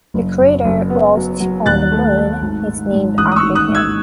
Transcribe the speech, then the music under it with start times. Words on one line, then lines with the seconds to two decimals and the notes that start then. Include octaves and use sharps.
The crater Rost on the Moon is named after him.
0.14 F#1
0.39 F#2
0.64 F#1
0.90 B3
1.15 F#3
1.40 F#3
1.66 D#2 F#6 A6
1.91 A3
2.17 A3
2.42 G#1
2.67 G#2
2.93 G#2
3.18 A1 D#6 F#6
3.32 D#6
3.36 C#6 E6
3.43 D#3
3.55 D#6 F#6
3.68 G#2
3.75 E6 G#6